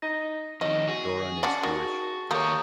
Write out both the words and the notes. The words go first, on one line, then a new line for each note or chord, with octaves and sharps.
Doron is Jewish.
D#4 A#6
F2 D#3 C#4 D#5
F#4 G#4
C#4 D4 D5 F#5 A5 A6
D#3 F#4
D#2 G3 A3 A#3 C#5 A#5 D#6 G6